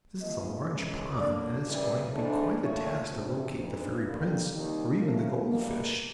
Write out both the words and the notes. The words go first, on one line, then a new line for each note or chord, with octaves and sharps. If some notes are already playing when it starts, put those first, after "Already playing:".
"This is a large pond, and it's going to be quite a task to locate the fairy prince, or even the gold fish."
C3 F3 A#3 D#5
F#2 C#3 E3 G#3
D3 F#3 A#3 D5
F#2 C#3 E3 G3 D5
G#2 E3 A3 D4
A#2 F3 A3 C#5
D2 C3 F3
D2 C#3 F#3 B3 D#4 C5
F2 D3 G3 A#3 B4
D#2 D#3 G3 C4 D#4
C#3 F3 A3 C#4 A#4
E2 B2 G3 A#3